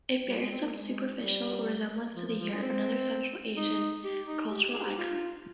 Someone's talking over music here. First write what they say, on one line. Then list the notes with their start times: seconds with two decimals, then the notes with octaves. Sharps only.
It bears some superficial resemblance to the yurt, another Central Asian cultural icon.
0.27 G3
0.39 G#3
0.51 C4
0.63 A#3
0.74 G#3
1.22 G3
2.16 F3
2.28 F3
2.39 F3
2.51 G#3
2.63 C4
3.56 D#4
4.04 G4
4.27 D#4
4.50 G4
4.63 G4
4.75 G#4
4.86 G4
4.98 F4